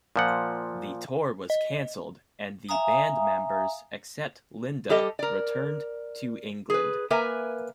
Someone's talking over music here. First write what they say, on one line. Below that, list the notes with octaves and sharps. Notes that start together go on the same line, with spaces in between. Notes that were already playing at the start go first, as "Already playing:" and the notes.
The tour was cancelled and the band members, except Linda, returned to England.
A#2 F3 F#5
D#5
E5 F5 G#5 A#5 D#6
G3 G4 A4 D#5
A#4 D5
G#4 B4
A#3 A#4 B4 E5 G#5